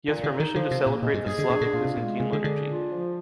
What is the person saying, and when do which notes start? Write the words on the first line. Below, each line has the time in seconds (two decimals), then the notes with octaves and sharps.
He has permission to celebrate the Slavic-Byzantine liturgy.
0.08 A#2 D#3
0.24 D3
0.31 D#4
0.40 D#3
0.55 D3 F3
0.71 C3
0.78 A#3
0.86 A#2
1.02 A#2 G#3
1.14 G2
1.26 G2 G#4
1.38 D3
1.49 A#2 D4
1.61 A#2
1.73 A#2 F4
1.85 C3
1.97 A#2 G#3
2.20 C3 G#4
2.33 D3
2.44 D3 D4
2.68 F4
2.92 F3